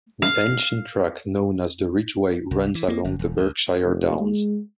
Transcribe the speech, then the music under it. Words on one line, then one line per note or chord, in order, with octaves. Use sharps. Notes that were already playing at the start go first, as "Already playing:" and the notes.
The ancient track known as the Ridgeway runs along the Berkshire Downs.
F5
C2
E3
A#3
G1
E1
D2
F1
G#3